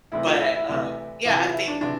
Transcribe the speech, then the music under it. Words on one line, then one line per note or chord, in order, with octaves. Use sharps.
But, um, yeah, I think
D2 C3 E3 E4
F4
E4
E4
D2 C3 E3 E4
E2 C3 E3 E4
F4
E4
D4
C3 E3 D4